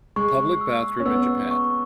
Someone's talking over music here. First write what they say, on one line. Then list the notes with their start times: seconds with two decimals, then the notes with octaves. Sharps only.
public bathroom in Japan.
0.16 G#3 C#6
0.61 E6
1.00 C#4
1.06 B3 E6
1.51 C#6